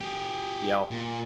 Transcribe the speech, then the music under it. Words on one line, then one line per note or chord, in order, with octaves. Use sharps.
you know,
G4 G#4
A#2